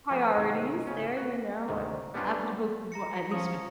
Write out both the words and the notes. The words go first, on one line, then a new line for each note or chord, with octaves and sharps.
priorities there, you know, what I would hope you would at least would
F3 A3 B3
G#2 C3 D#3 F#3
C#3 C#4
F#4
D2 G#2 C3 D#3
G3 B3 C#4 D4 F4 B4
A#5 A#6 C#7
F3 C#4 D#6